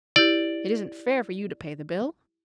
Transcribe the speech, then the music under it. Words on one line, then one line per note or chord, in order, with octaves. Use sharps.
It isn't fair for you to pay the bill.
E4 G4 D5